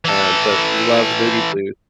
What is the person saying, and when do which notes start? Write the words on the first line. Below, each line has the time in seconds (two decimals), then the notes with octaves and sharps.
um, but love Moody Blue
0.05 E3 A4